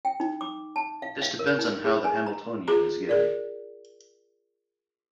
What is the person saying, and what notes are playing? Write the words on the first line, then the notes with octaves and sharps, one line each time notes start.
This depends on how the Hamiltonian is given.
G5
D#4
D6
A5
F5
F5
A#4
D#4
G#4
G#5
A#5
F4 G#4 A#5
G#4 A#4 D5